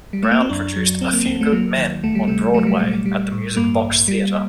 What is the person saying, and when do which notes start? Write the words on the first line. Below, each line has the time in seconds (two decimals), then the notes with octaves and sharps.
Brown produced "A Few Good Men" on Broadway at the Music Box Theatre.
0.13 G3
0.23 A3
0.31 A#3
0.41 C4
0.49 F#2 D4
0.76 F#3
1.01 D2 C4
1.13 A#3
1.26 D2 C4
1.41 A3
1.52 F#3 A#3
1.77 D#3
2.04 D2 A3
2.15 G3
2.27 C3 A3
2.54 F#3 A3
2.67 G3
2.79 A#2 A3
3.06 G3
3.32 A2
3.56 G2 A#3
3.82 A1
4.08 G3